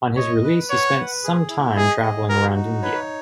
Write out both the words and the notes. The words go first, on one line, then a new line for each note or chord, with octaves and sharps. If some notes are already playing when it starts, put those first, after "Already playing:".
On his release he spent sometime travelling around India.
C#5 D#5
B4
C#5 F#5
B4
G#4
E4
G#4 D#5
G#4
F#4 A#4
D#4
B4 C#5